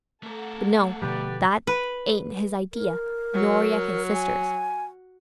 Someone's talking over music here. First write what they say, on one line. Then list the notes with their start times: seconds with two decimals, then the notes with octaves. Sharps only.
But no, that ain't his idea, nor yet his sister's.
0.23 A3 A4 A#4 F#5
1.02 B2 D3 F3 G4 B4 D5
1.67 B4
2.73 A#4
3.34 F#3
4.12 G#5